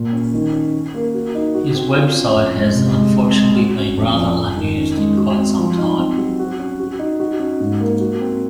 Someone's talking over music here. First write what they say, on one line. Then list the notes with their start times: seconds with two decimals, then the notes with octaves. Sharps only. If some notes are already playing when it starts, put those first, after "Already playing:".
His website has unfortunately been rather unused in quite some time.
Already playing: A#2
0.13 C#4
0.34 D#3
0.53 C#4
0.73 C#4
0.94 A#3
1.14 F#4
1.35 D#4
1.54 F#4
1.75 C4
1.95 F4
2.15 C#4
2.35 F2
2.56 G#3
2.76 C3
2.95 G#3
3.16 C4
3.36 G#3
3.56 F#4
3.76 C#4
3.97 F2
4.16 F3
4.36 F2
4.57 D#3
4.78 C#4
4.97 G#3
5.17 F#4
5.38 C4
5.58 F3
5.78 D#4
5.98 C4
6.18 F#3
6.39 F#4
6.59 C#4
6.80 F#4
6.99 D#4
7.20 F#4
7.39 C#4
7.60 G#2
7.80 A#3
8.00 F#4
8.20 C4